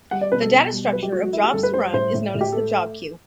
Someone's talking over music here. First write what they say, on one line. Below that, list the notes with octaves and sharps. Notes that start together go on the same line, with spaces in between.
The data structure of jobs to run is known as the job queue.
G3 F#5
D5
B2 B4
A4
B2
G3
F#3 B4
G4
A3 F#4
F#4
A3 E4
G4
G2 A4
B4
G3 C5
A2 C5
A2
A2
G4
A3 A4